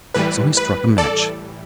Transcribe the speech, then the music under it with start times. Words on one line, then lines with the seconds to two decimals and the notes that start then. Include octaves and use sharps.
So he struck a match.
0.14 A2 E3 G3 B4
0.57 B4
0.98 A4 D5